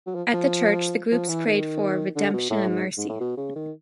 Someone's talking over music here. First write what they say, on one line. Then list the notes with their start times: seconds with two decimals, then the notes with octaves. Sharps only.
At the church the groups prayed for "redemption and mercy".
0.07 F#3
0.15 F3
0.33 F3
1.12 F3
1.29 E3
1.46 D#3
2.16 D3
2.34 B2
2.50 A2
2.68 G#2
2.98 G#2
3.09 A2
3.20 B2
3.37 C#3
3.56 D#3